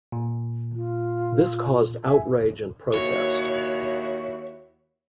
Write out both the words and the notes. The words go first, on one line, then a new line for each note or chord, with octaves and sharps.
This caused outrage and protest.
A#2
F4
E5 G#5
D#2 E4 F#4 C#5